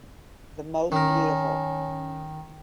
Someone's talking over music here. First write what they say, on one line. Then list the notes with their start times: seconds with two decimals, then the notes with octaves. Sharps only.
The most beautiful.
0.92 D#3 C#4 A#4